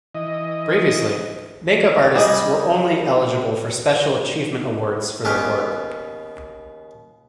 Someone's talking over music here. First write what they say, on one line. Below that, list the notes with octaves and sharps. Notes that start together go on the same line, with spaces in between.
Previously, make-up artists were only eligible for special achievement awards for their work.
E3 D#5
G3 G#4 D#5
D#2 C#3 B3 C#4 G4